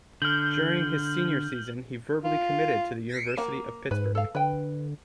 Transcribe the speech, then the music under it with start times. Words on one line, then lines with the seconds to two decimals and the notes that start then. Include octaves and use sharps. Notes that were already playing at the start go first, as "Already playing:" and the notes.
During his senior season, he verbally committed to the University of Pittsburgh.
0.22 D3 F6 G6 F#7
2.24 F4
3.37 A#3 F#5
3.91 G#2 B4
4.15 A4 F5
4.35 D3 B4 G5